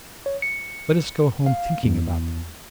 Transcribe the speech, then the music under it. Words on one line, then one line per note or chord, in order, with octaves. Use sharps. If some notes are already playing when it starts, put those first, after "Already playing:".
Let us go home thinking about that.
C#5
C#7
F5
E2